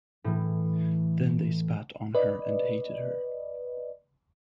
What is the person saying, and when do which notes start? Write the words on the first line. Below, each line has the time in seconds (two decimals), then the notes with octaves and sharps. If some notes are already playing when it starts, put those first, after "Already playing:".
Then they spat on her and hated her.
0.24 A2 E3
2.15 B4 D5 D#5